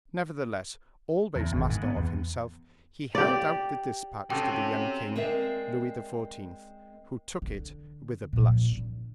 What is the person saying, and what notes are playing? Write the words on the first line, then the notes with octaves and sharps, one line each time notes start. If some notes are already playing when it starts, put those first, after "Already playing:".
Nevertheless, always master of himself, he held out the dispatch to the young king, Louis XIV., who took it with a blush.
E2
G#1
G#2
B3
E2
G4 D5
C3 C#4 F#4 G4 A4 G5
G#3 C4 A#4 D5 E5
D3
A#2 F3
D3